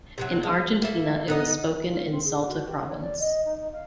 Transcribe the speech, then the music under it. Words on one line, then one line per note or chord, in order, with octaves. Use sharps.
In Argentina, it was spoken in Salta province.
C3 E3 F#3
G#3
A#3 E4 A4
B3 D#4 D#5
F5
C4
G#4
F#4
G4
C#5
D5
D#5
D#4
D#4
F5